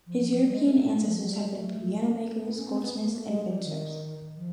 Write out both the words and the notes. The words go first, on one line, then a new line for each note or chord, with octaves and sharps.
His European ancestors had been piano makers, goldsmiths, and vintners.
F3
F3
F3
G3
G#3
A3
F3
F#3
G3
G#3
A3
A#3
B3
C#4
C4
B3
A#3
A3
G#3
G3
D#3
F3